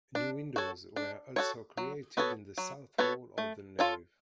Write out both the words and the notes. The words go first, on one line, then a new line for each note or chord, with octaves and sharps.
New windows were also created in the south wall of the nave.
D4
F#4 A4 C#5
D4
F#4 A4 C#5
F#3
B3 F#4 A4 C#5
F#3
B3 F#4 A4 C#5
A3
F4 A4 C#5